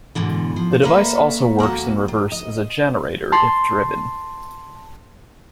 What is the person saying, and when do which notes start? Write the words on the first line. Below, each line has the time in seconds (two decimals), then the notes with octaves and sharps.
The device also works in reverse as a generator if driven.
0.15 G#2 B2 D3 E3
0.56 F3
0.82 A#3 A4 B4 C#5 E5
1.59 D#2 A#3 B3 F#4
2.08 D#3
2.32 D#5
3.32 A5 C6